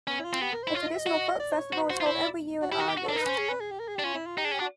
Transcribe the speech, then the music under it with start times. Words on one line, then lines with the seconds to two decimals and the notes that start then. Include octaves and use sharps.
A traditional folk festival is held every year in August.
0.07 B3 C#4
0.20 E4
0.25 F4
0.33 C4
0.41 B3 G4
0.53 A#4
0.63 E4 C5
0.73 F4 C#5
0.82 D#5
0.91 E5
0.99 D#5
1.06 F#4
1.40 D5
1.52 C5
1.56 C#5
1.73 F#4 C5
1.82 B4
1.89 F#4 C5
2.01 F4
2.06 E4 C5
2.15 C#5
2.22 D5
2.62 F#4
2.72 E4 G4
2.80 F#4
2.88 G4
2.97 F#4
3.05 A4
3.09 D4
3.13 A#4
3.16 D#4
3.21 B4
3.26 C#4 C5
3.38 G#4
3.49 B4
3.60 G#4
3.71 G4
3.80 A#4
3.88 G#4
3.96 G4
3.99 D4
4.04 C#4 F4
4.15 E4
4.26 F4
4.37 D#4 G4
4.45 D4 G#4
4.51 C#4
4.54 G4
4.59 D4 F#4